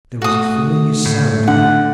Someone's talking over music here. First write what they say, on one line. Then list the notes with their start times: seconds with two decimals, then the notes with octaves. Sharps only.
There was a familiar sound to that.
0.22 A3 F#4 D#6
1.06 A2
1.48 D3 F#5